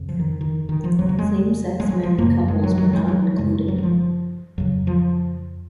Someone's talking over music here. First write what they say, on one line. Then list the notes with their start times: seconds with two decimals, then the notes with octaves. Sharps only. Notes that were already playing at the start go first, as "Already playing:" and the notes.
Same-sex married couples were not included.
Already playing: F2 C#3
0.09 F3
0.19 D#3
0.41 D#3
0.69 D#3
0.84 F3
0.99 F2 F#3
1.02 C#3
1.09 F#3
1.19 G#3
1.80 G#3
1.89 F#3
2.03 F3
2.18 F#2 C#3 A#3
2.48 G#3
2.63 F#3
2.78 F#3
2.93 G#3
3.08 F#3
3.38 F#2 C#3 G#3
3.68 F#3
3.78 F#3
3.83 F3
4.58 F2 C#3 F#3
4.87 F3